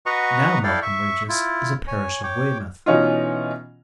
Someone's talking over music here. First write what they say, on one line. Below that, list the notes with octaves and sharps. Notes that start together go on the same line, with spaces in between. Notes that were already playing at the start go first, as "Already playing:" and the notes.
Now Melcombe Regis is a parish of Weymouth.
F#4 B4 D#5 F#5 A#5 C#6
E4 A4 D5 F5 G5
E5 C#6
E4 F4
C#5 G#5
C#5 G5 D6
B2 E3 C#4 D#4 F4